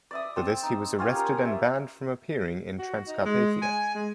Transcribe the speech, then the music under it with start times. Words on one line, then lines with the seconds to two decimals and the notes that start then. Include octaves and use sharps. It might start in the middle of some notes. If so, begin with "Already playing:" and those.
For this he was arrested and banned from appearing in Transcarpathia.
0.11 D5 E5 D#6
0.36 C4 A5 E6
0.63 D#4
0.99 C#4 F4 G4 G#5
1.16 A#4
1.45 E5
2.79 F#4
3.08 D#4
3.25 G#3
3.62 G#5
3.95 G#3